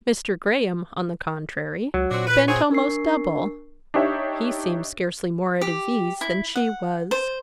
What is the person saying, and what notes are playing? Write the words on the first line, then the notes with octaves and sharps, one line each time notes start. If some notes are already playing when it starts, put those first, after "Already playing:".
Mr. Graham, on the contrary, bent almost double--he seemed scarcely more at his ease than she was.
C#2 F#3
A#2 C4 D4 F#4
B4
C4 F#4 G#4 C#5
D4 A#4 C#6 C7
D4 D#4 G4 C#5 E5
G4
E4
F#5
C5